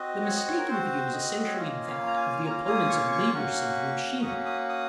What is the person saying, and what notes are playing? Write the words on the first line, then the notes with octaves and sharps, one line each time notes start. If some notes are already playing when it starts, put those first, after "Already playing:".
The mistaken view is essentially that of the opponents of labor-saving machinery.
Already playing: C4 F#4 D#5
C#5
D#5
C#5
A#4
C4 F#4 C5
D#5
C#5
A#3 C#4 F4 D#5
F5
A#5
G#5
A#3 C#4 F4 A#5
D#6
C#6
C#6
A#3 C#4 F#4
A#3 C#4 F#4 D#6
D#6
D#6